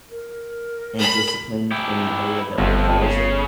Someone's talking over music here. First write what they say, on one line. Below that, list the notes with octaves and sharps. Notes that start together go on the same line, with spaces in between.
and disciplined in an area that requires it.
A#4
B5
E4 G4
G1 F2
C#3